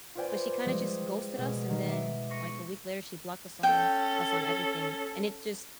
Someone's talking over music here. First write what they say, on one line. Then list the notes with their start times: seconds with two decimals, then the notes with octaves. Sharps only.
but she kinda just ghosted us and then, like a week later, she blocked us on us on everything, and and it just
0.15 F4 B4 C5 D5 G5 G#5
0.66 F3 G3 G#3 G4 G#4
1.37 B2 G#3
1.70 D#3
1.89 E5 D6 D7
2.30 C#6 A#6 C7 C#7 D#7
3.63 C#4 A4 G5